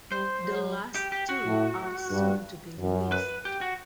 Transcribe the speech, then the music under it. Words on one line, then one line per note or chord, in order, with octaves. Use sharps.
The last two are soon to be released.
G3 C5
F#3
G4
G4
F#4
A2
G2
F#2
B4
G4
F#4